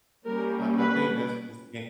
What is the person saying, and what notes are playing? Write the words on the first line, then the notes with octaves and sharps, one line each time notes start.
I I think that's just in
G3 A#3 C#4 A#4
B4